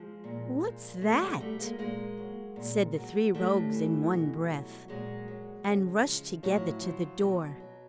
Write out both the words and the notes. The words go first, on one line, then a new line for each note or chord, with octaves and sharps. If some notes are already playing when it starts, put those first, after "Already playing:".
"What's that?" said the three rogues in one breath, and rushed together to the door.
Already playing: F3 G#3
A#2
F3
B2 G3 A3
G3
F#3 G#3
F#3 G3 A3
G#3 A#3
A#2 G#3 A#3
F#3
A#2
F#3
A2 G3 A3
E3
B2
F#3
A#2 F#3 G#3
F#3
C#3
F3
A2 F#3
F3
B2
F#3